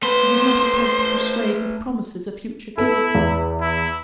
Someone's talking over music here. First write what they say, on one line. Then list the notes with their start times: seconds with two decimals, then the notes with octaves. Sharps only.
He does not attempt to persuade with promises of future care.
0.03 A3 B4 C5
2.78 B3 E4 A4
3.15 E2
3.61 E4